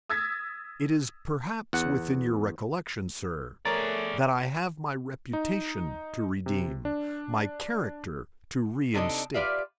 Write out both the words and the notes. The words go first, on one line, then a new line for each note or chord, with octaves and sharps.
"It is perhaps within your recollection, sir, that I have my reputation to redeem, my character to reinstate."
D#6 E6 G#6 A6 B6
E2 F#5
A3 G#4 A#4 C#5 D5 A#5 A6
D#4
C3
D4
C3 C4 D4 D#4 A4 D#5
F4 G4 B4 D5 E5 F5